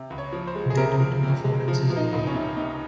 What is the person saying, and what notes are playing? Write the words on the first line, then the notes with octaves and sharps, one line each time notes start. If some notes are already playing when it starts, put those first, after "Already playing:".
They do two performances a year.
Already playing: C3
C#2
C#5
F3
C5
G#3
G#4
C3 A#4
F3
C3
G#3
F3
F3
D#4
C#2
D#4
C#4
C3
C3 D#4